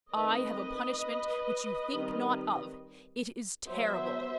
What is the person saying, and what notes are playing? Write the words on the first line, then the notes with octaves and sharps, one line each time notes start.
I have a punishment which you think not of; it is terrible!
D#3 A3 C4 B4 D#5
D#3 G3 C4
F#3 B3 C5 E5